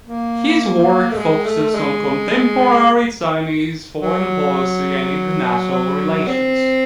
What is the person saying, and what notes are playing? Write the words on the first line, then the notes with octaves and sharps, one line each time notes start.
His work focuses on contemporary Chinese foreign policy and international relations.
A#3
A3
G#3
A3
G#3
F#3
F#3
C4